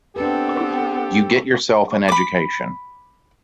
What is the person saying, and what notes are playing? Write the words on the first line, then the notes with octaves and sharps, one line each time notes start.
You get yourself an education.
B3 C4 D4 G4 A4 B4
B5 D6